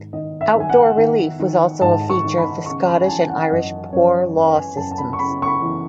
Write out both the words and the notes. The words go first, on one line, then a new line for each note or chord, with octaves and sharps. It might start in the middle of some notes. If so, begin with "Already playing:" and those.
Outdoor relief was also a feature of the Scottish and Irish Poor Law systems.
Already playing: G#2 D#3
D#3 D#5
E5
D#3
G#5
F#5
D#3
D#3
G#2 A5
C#6
D#3
B5
C#3 C#6
B5
G#5
E3 A5
F#5
F#2 D#5
F#2 C#5
F#2 B4
G#5
F#2 A5
A5
B5
C#6
C#3 B5
C#6
B5
E3